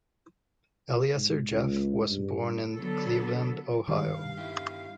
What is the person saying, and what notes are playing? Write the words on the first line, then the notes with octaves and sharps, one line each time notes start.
Eliezer Jaffe was born in Cleveland Ohio.
G#2
C#2
G2
D3 F#3 B3 A4
G2 D#3 G3 F5
D#4 E4 G4